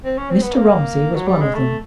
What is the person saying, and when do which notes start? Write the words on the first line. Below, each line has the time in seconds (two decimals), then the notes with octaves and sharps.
Mr. Romsey was one of them.
0.05 C4
0.18 C#4
0.30 C4
0.42 B3
0.55 A#3
1.15 F#3
1.28 G3
1.41 G#3
1.55 A3